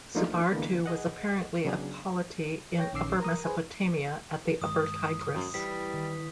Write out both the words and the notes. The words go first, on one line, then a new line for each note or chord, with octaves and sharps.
Subartu was apparently a polity in Upper Mesopotamia, at the upper Tigris.
F3 A3 A#3 D4 D#4 F4
D3 E3 G#3 A#3 B3
G#4 D#5 F#5
C#3 F#3 B3 D4 G#4
C#5 G5 A#6
A#1 D#3 C#4 D6 E6 C7
A#4 A#5 D#6
G#4 B4 C5 G#5
G2 D#3 G#3 D#6
F#2
E3 G3 B6
D#3